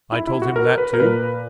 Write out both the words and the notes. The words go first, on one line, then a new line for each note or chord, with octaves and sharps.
"I told him that too?"
E4
E4
F#4
A#4
B4
A#4
A#2 B4